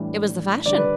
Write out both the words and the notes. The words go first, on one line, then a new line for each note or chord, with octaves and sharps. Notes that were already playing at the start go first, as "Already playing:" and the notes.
It was the fashion.
Already playing: A2 E3 G3 D4
D3 G3 D4 D5
B4